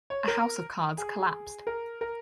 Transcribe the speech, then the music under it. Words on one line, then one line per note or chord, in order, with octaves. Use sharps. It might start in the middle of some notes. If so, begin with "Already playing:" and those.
A house of cards collapsed.
C#5
A#4
G#4
A#4
A#4